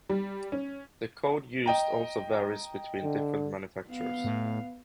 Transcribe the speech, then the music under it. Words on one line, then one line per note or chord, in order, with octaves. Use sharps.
The code used also varies between different manufacturers.
G3
C#4
D#5 G5 A#5
D3
B3 F5
A2